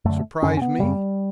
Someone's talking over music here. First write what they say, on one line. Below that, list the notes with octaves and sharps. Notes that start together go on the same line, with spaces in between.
"Surprise me?"
F#2 D3 A3
F#2 D3 C#4
C#4
B3
F#2 C#3 G3